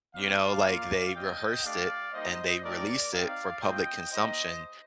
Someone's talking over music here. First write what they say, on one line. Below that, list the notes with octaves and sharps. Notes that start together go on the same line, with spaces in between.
you know, like, they rehearsed it and they released it for public consumption,
C4 D#4 G4 D5 F5
A#3 F4
C4 G4 D#5 G5
A3 D4 G4 D5 F5
G3 A#3 D#4 C5 D#5
A3 D#4 G4 A#4 D5
C4 D#4 G4 D5 F5
A3 C4 F4 D#5 G5
A#3 D#4 G4 C5 D#5